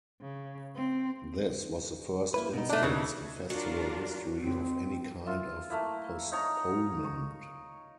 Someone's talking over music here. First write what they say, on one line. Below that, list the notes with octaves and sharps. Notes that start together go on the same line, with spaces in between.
This was the first instance in festival history of any kind of postponement.
C#3
C4
A#3 E4 B4
B2 D#4
A3 D4
C#3 E3
F#3 D4 F4 A#4
F2 C4
F4 E5
A3 A#3 E4
D#4 C#5 A#5
C#6